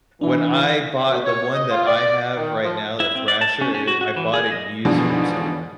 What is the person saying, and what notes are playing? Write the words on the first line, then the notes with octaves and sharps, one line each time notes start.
When I bought the one that I have right now, the thrasher, it I bought it used from someone
E3 D4 E4
B2
C#5
D#5
F4
D5
D#3
F3
E4
C4
D5
A5
C#4
C#4
F#4
F#4
E3
G#4
D#5
G#2 B2 D3 E3 F3 G3